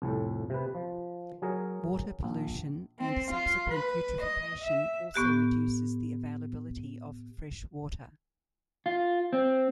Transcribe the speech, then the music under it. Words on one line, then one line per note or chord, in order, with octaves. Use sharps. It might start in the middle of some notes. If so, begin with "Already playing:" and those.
Water pollution and subsequent eutrophication also reduces the availability of fresh water.
C2 F2 A2
C3 B4
F3
F#3 G#4 A#4
A#1
C4
F4
B4
D#5
E5
A2 B3 G4 F#6
F4
C4